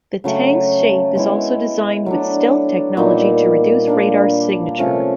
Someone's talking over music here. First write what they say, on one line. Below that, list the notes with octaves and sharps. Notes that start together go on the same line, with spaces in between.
The tank's shape is also designed with stealth technology to reduce radar signature.
C#3 F#3 A3
G#3 B3 E4
F#3 A3 D4
A#2 G3 B3 D#4
G3 A#3 D4
C3 F3 A3 C#4